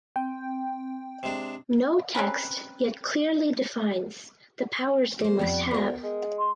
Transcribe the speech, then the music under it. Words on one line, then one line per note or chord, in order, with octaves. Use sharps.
No text yet clearly defines the powers they must have.
C4 G5
C3 G#3 D4
C4 C#4 A#4 B4
A#3 C5
F2 G3 B3 F#5
D2 A#4 G5
G#3
C6